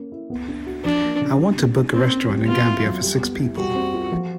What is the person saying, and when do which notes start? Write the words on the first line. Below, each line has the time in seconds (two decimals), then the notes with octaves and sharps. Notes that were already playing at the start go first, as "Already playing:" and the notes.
I want to book a restaurant in Gambia for six people.
Already playing: A#3 C#4
0.12 E4
0.30 B3
0.48 D4
0.66 F#4
0.84 F3 D4
1.02 A#3
1.21 C#3
1.39 G3
1.57 B3
1.75 D#4
1.93 A#3 C4
2.11 C#4
2.29 G3
2.47 B3 F4
2.66 E4
2.84 F#3
3.02 G3
3.21 B3
3.39 E4
3.57 G3 F#4
3.75 C4
3.94 F4
4.12 F3